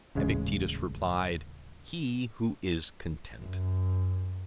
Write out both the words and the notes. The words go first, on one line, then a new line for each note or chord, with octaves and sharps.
Epictetus replied, "He who is content."
D#1 A1 C#3 G#3
F#2